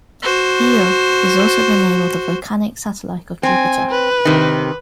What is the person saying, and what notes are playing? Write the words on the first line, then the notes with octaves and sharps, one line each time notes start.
Io is also the name of the volcanic satellite of Jupiter.
F#4 C5
C4 G#5
B4
C3 D#3